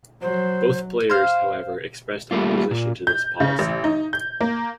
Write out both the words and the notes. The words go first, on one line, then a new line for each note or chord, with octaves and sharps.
Both players, however, expressed opposition to this policy.
F#3 C5
C5 F5
G3 A3 A#3 F4
A#2
G6
C#3
A1
D#4
G6
A#3